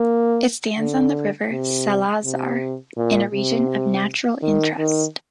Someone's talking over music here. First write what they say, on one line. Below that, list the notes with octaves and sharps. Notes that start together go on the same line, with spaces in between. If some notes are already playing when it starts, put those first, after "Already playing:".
It stands on the River Salazar in a region of natural interest.
Already playing: A#3
D3
C3
C3
A#2
C3
D#3
D#3